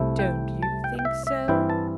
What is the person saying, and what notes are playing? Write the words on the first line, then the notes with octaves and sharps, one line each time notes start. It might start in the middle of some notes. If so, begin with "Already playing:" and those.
'Don't you think so?
Already playing: C2 C3 A3 E4
G5
A5
G5
G5
E5
E5
G2 E3 C4 E4 G5
A5